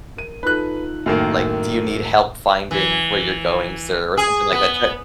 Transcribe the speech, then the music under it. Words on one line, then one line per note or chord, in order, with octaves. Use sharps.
like, "Do you need help finding where you're going, sir?" or something like that try
A#4 D#7
D#4 F4 A4 B4 F#6
F#2 A2 D#3 A#3
E3
G#4
B3